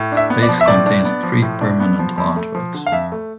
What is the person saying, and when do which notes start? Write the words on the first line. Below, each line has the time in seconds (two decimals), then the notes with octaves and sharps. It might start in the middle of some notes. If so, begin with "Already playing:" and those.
The space contains three permanent artworks.
Already playing: A2
0.12 D4
0.17 E5
0.30 B3
0.42 D5
0.49 F3
0.61 E5
0.68 A2 D5
0.86 D4
1.05 B3
1.23 F3
1.42 A2
1.61 D4
1.80 B3
1.99 F3
2.18 F2
2.36 A3
2.55 F3
2.74 D3
2.87 F5
2.92 F2 E5
3.12 A3